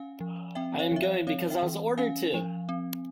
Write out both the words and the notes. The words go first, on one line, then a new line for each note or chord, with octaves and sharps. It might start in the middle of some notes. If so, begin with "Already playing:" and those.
I am going because I was ordered to!
Already playing: C#4 F5 G#5
F3
C4 E5 G5
C#5 F5
F3 E5
C#5 F5
C4 C#5 F5
E5 G5
E3
C#4 F5 G#5
F3
C4